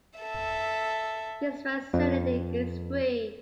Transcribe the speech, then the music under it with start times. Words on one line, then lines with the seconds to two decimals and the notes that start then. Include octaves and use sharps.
This facility is free.
0.19 A4 E5
1.93 F2